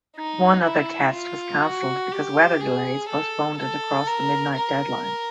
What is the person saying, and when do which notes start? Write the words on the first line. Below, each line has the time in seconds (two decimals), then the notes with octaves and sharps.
One other test was cancelled because weather delays postponed it across the midnight deadline.
0.16 D#4
0.64 E4
1.14 F4
1.62 F#4
2.12 G4
2.60 G#4
3.09 A4
3.58 A4
4.07 A#4
4.56 A#4